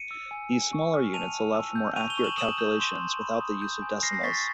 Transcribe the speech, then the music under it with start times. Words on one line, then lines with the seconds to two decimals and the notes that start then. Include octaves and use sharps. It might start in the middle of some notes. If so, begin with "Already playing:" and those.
These smaller units allow for more accurate calculations without the use of decimals.
Already playing: C#7 D#7
0.11 E6
0.31 G#5
0.53 G#5
0.73 C#6
0.94 F6
1.14 A5 D#7 F7
1.35 A5
1.55 E6
1.75 G6
1.96 C#6 D#7 F7
2.10 F7 G7
2.17 C#6
2.24 E7 F#7
2.37 D#6 E7 F#7
2.58 G6
2.80 C6
3.00 C6
3.21 B5
3.41 D#6
3.62 G6
3.82 G#5
4.03 F6 A#6 C7
4.13 A#6 C7
4.23 C#6 A6 B6
4.34 A6 B6